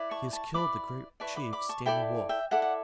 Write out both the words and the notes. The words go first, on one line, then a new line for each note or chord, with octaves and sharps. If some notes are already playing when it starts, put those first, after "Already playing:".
He has killed the great chief Standing Wolf.
Already playing: E4 B4 D5
A5 C#6
A5 C#6
E4 B4 D5 B5 D6
E4 B4 D5 A5 C#6
B5 D6
B5 D6
A5 C#6
E4 A4 D5 G5 B5
E5 G5
E4 A4 D5 F#5
F#5